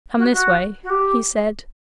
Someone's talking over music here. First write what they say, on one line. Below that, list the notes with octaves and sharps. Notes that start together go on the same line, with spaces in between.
"Come this way," he said.
F#4
F#4
F#4
G4